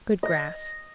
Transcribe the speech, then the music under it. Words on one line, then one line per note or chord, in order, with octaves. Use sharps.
Good grass.
D#5